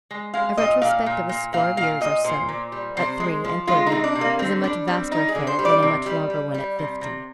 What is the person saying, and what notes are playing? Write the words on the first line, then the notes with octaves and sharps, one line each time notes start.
A retrospect of a score of years or so, at three-and-thirty, is a much vaster affair than a much longer one at fifty.
G#3
G#3 F5
A#2 D#5
A#2 F5
A#2
A#2
A#2 F5
A#2 F5
A#2 D#5
A#2 C5
A#2
G3
C3 C5
G#3
F3
G#3 F4
D#4
C3
D4
C3
A#3
D3 C4
G3 D4
G3 C4
G3 D#4
G#4
D3
C5
G3
D5
C3
G3
G3
G3
C3
C3